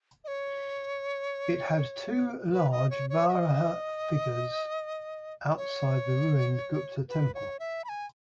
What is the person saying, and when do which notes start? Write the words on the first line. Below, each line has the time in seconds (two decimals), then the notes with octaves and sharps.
It had two large Varaha figures outside the ruined Gupta temple.
0.24 D#5
0.28 C#5
2.52 B4
2.71 D#5
2.90 C#5
3.10 C#5
3.29 E5
3.32 D#5
5.57 C#5
7.09 B4
7.34 C#5
7.59 E5
7.84 B5
7.89 G#5